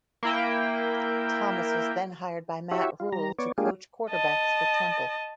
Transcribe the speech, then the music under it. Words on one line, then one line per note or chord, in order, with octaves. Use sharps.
Thomas was then hired by Matt Rhule to coach quarterbacks for Temple.
A#3 E4 G5
E4 F#4 G4 C#5 E5
F4
G3 A#5
B3 C#5 D5
G#3 A#3 D4 F4 G4 G#4
D#5 A5